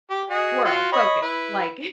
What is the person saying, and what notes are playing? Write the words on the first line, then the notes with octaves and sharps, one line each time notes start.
squirrel, focus, like
G4
F#4 G#4 D#5
F4 F#4 G5
C#5 D#5 B5
E4 B4